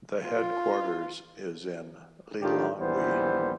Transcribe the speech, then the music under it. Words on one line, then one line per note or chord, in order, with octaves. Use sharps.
The headquarters is in Lilongwe.
F4
A2 D#3 D4 F4 G4
A#1 D#2 E3 G3 B3 C5